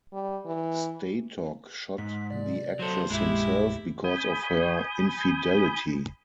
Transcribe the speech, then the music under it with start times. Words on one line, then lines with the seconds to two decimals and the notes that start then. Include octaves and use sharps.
Statoc shot the actress himself because of her infidelity.
0.13 G3
0.46 E3
1.98 G#2 B6
2.30 C3 D5
2.79 F#3 A4 C5
3.10 A#1 F#2 A#2 G#3 E4 G4
4.04 G#5 B5 D#6 G6